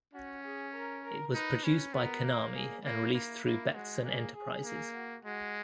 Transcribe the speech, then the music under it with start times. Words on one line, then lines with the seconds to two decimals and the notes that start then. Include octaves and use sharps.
It was produced by Konami and released through Betson Enterprises.
0.13 C#4 F#4
0.43 G#4
0.74 A#4
1.03 A#4
1.33 D#4 B4
1.64 C#4
1.94 B3 A#4
2.24 A#3
2.54 G#4
2.84 A#3 E4
3.14 A#3
3.44 A#3 E4
3.74 G#3 F#4
4.04 A#3 G#4
4.34 G#4
4.64 A#3
4.94 F#4
5.24 G#3 F#4